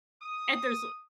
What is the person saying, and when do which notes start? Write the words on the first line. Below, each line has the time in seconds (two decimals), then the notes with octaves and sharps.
And there's I
0.22 D#6